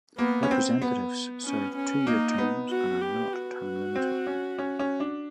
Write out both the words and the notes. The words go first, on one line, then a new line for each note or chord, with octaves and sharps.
Representatives serve two year terms and are not term limited.
A#3 B3
C#4
C4
B3
C#4
C#4
A#3 D#4
B3
F#4
G4
F#4
C4
C#4
C#4
C#4
D4